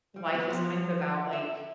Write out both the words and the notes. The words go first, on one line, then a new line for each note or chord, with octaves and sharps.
life is kind of about, like,
G3
B3
F3
E5